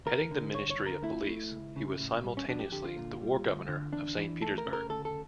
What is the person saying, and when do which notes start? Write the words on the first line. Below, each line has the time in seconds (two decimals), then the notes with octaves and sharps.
Heading the Ministry of police, he was simultaneously the War Governor of Saint Petersburg.
0.06 D2 A#4
0.31 D3
0.54 G2 C#5
0.70 C#5
0.78 D3
0.86 A#4
1.02 A3 E4
1.27 A3
1.51 C#2
1.76 C#3
2.00 A2
2.23 G3
2.37 C#4
2.48 F2 D4
2.60 G4
2.72 D3 G4
2.84 F4
2.97 A#2
3.21 G3
3.45 D2
3.68 D3
3.92 E2 D4
4.16 E3
4.41 A3 A4
4.58 A#4
4.66 C#3
4.73 A#4
4.89 D2 A4
5.05 A4